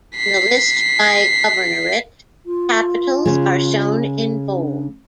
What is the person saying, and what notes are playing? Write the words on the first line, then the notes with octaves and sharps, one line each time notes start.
In the list by governorate capitals are shown in bold.
B6 C7
F4
C#3 G#3
D4